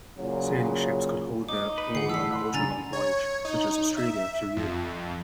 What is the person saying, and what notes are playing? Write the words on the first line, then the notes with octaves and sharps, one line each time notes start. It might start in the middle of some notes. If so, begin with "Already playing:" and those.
Sailing ships could hold their own on ultra-long voyages such as Australia to Europe.
A#2 C#3 F#3
D#4 D6
B4
D3 F4 G#4 F#5 C7
A2 E3 E6 B6
F#5 B5 C6
C2 F#2 C#3 D4 G#5 A#5 A6
C#5
D#4
E5
F2